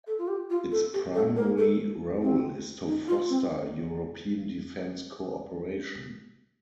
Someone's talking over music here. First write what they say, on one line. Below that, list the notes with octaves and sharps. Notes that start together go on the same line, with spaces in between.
Its primary role is to foster European defence cooperation.
A4
F4
G4
F4
A4
G4
A4
A#4
A4
C4
D#4
F4
C4